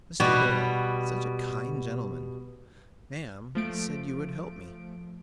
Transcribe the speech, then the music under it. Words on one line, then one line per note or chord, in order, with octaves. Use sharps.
"Mr. Beryl--such a kind gentleman, ma'am--said you would help me."
B2 G3 F#4
F3 A3 D7